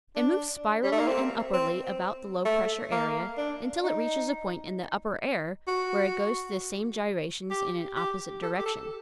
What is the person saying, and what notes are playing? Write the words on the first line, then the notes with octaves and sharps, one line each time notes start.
It moves spirally and upwardly about the low-pressure area until it reaches a point in the upper air, where it goes through the same gyrations in an opposite direction.
D4
G3
A3
A#3
C4
C4
A3
A#3
D4
D#4
F#4
G4
G4
A4
G4
A4